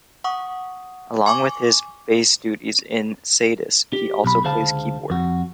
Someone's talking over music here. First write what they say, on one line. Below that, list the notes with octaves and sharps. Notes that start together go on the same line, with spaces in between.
Along with his bass duties in Sadus he also plays keyboards.
F#5 C#6 D#6
G#5 C#6 D6
G4
B1 B5
C#2 D3 G#4 C5 F5 A5
F2 F#4